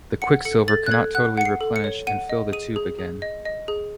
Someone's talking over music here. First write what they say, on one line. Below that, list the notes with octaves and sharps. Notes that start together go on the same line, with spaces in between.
The quicksilver cannot totally replenish and fill the tube again.
F#5 C#7
A4 C#7
A4 A6
F#6
A4 G#6
F#5 F#6
F#5 C#7
C7
A4
C#7
C#5
F#5 D#7
D#5
G#4 D#7
G#4
G#4
D#5
D#5
G#4